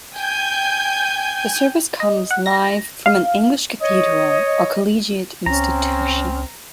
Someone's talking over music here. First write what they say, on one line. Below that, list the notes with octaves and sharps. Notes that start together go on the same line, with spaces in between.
The service comes live from an English cathedral or collegiate institution.
G5 G#5 G6 G#6
D#5
F#5
A#6
F5
C#5 D#5
C#2 C4 C#4 A#5